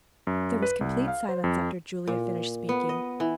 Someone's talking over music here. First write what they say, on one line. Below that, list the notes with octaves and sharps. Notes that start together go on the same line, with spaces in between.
There was complete silence after Julia finished speaking.
F#2
B4
C2
F5
C5
F2
A#2
B3
D#5
E3